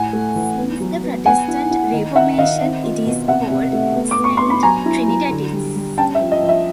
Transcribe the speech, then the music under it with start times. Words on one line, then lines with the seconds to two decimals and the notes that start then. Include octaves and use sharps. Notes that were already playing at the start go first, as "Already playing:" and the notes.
Since the Protestant Reformation it is called Saint Trinitatis.
Already playing: A2 F#5 G#5
0.13 A3
0.36 E3
0.58 B3
0.80 F#3
1.03 B3
1.26 B3 F#5 G#5
1.48 E4
1.71 E4
1.93 D#3
2.15 D#3 E5 F#5
2.38 D#3 D#5 F5
2.61 C4
2.83 F4
3.06 B2
3.28 C3 E5 F#5
3.50 C3
3.73 A3
3.95 B3
4.11 D6
4.18 B3
4.24 C#6
4.37 B3 C6
4.50 B5
4.63 F#3 G#5 A#5
4.86 E4
5.08 F#3
5.30 D3
5.53 G3
5.76 G3
5.98 C#4 G5 A5
6.15 E5
6.21 F3
6.32 D#5
6.43 F3
6.49 E5